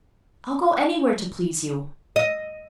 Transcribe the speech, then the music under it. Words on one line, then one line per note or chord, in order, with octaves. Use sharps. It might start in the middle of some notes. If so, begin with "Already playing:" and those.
I'll go anywhere to please you.
D#5